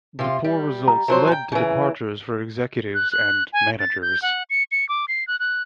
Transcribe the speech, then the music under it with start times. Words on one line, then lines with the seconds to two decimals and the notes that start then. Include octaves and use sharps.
The poor results led to departures for executives and managers.
0.19 C3 F4
0.44 G3
0.88 A#5
1.08 F3 F#3 C5
1.27 G5 G#5
1.52 C#3 E3
2.94 F#6
3.12 F#6
3.53 G#5
3.79 A6
4.02 G6
4.22 F#5
4.50 C#7
4.72 C#7
4.89 D6
5.08 C7
5.28 F#6
5.40 F#6